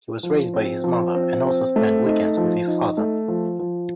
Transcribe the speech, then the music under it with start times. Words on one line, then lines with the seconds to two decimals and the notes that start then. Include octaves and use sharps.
He was raised by his mother, and also spent weekends with his father.
0.23 F3
0.54 C4
0.84 F3
1.15 C4
1.45 C4
1.76 A3
2.06 D#4
2.37 F3
2.67 D#4
2.98 A3
3.28 F3
3.59 F3